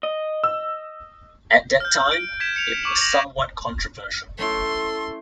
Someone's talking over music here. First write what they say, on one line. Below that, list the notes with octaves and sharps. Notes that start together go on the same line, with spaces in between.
At the time, it was somewhat controversial.
D#5
E6
F6 G6
D7
G#6 B6 D7 E7
C#7 F7
C#6 D6 E7 F#7
A#6 F#7
A3 C#4 E4 A4 C6